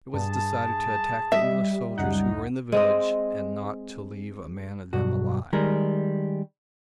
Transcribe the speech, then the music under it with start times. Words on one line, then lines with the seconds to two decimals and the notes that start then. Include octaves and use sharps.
It was decided to attack the English soldiers who were in the village and not to leave a man of them alive.
0.14 G2 G#4 A5
1.32 G3 D#5 E5
1.98 C#2 F#2 D#4 F#5
2.72 G#3 C4 D#5
4.93 B1 G2 F#4
5.53 D#3 G3 G#3 A#4